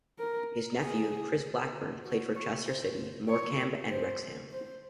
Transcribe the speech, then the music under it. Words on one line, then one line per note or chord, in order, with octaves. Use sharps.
His nephew, Chris Blackburn, played for Chester City, Morecambe, and Wrexham.
A#4
G#4
F#4
C#5
C5
C#5
C5
C5